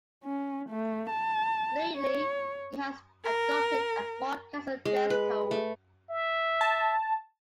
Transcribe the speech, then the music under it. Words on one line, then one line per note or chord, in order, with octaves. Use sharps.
Lately, he has adopted a more casual dress code.
C#4
A3
A5
C#5
A#4
G#3
B4
A3
E5
A5